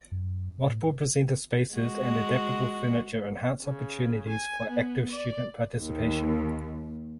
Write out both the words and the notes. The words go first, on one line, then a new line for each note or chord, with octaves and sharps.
Multiple presenter spaces and adaptable furniture enhance opportunities for active student participation.
F#2
A2
G#3 F#4
C#3
G#5
B3
D5
D#2